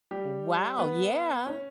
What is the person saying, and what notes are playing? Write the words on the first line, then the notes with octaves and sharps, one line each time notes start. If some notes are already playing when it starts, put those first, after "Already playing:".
Wow, yeah!
G3 G4
B3 B4
C#4 C#5